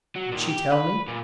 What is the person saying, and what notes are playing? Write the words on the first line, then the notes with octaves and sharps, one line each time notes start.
Would she tell me?
F#3
D#2 A#2
G4
B4
A#2